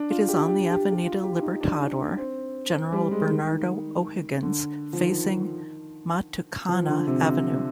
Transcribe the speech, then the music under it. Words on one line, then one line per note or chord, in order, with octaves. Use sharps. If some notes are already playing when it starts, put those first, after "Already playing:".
It is on the Avenida Libertador General Bernardo O'Higgins, facing Matucana avenue.
Already playing: D4
F4
G4
G4
G4
G4
F4
G4
F4
D#4
D4
C4
G3
G#3
D#3
D3
F3
D#3
F3
D3
C3
D3
C3